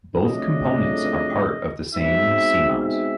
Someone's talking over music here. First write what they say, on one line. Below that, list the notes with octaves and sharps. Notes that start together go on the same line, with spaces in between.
Both components are part of the same seamount.
F2 C#3 F#3 A3 D4 D#5
B2 G#3 C4 D#4 E5
E5